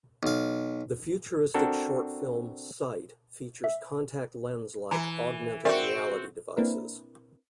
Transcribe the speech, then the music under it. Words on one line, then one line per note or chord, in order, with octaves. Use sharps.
The futuristic short film "Sight" features contact lens-like augmented reality devices.
B1 F5
C4 D4 F#4 A4 A#4
E5
E3 A#5
C4 F#4 A#4 D5 E5
A#3 C4 D4 E4 A#4 B4